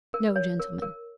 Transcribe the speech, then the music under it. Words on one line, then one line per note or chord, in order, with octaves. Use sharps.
No gentleman!
A#4
C#5
A#4
A#4